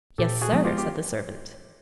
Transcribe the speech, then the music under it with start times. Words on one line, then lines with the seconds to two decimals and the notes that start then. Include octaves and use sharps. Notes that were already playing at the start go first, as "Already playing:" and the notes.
"Yes, sir," said the servant.
0.18 A#2 G4 A4
0.41 F#4 G#4
0.53 F3 G#3 B3
0.64 F4 G4
0.78 G4